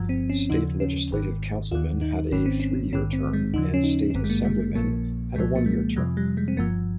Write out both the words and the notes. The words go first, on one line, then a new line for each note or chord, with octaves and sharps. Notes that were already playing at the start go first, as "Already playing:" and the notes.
State Legislative Councilmen had a three-year term and State Assemblymen had a one-year term.
Already playing: G1 G2 F3
C4
C#4
D#2 C#3 F3 D#4
C#4
G#1 G#2 D#3
D#2 D#3 F4
D#4
G#1 G#2 D#3 C#4
C4
C#4
A#1 G#2 D#3 C#4
C4
G#3
D#2 C#3 F3 D#4
C#4
D#4
C#4
G#1 G2 D#3 C4
G#3
A#3
G#3
G#3
A#1 A#2 F3 A#3
C2 A#2 F3 G#3
A#3
G#3
F2 C3 F3 G3
G3
G#3
C4
G1 G2 F3 A#3